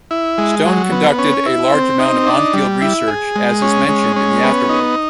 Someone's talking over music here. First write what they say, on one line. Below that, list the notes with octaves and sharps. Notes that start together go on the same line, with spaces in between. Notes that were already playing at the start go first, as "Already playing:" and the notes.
Stone conducted a large amount of "on-field" research as is mentioned in the afterword.
E4
G#3
F#3
B3
C#4
E4
C4
D#4
D4
G3
E4
G#4
G#3
C#4
G#3
C#4
B3
D#4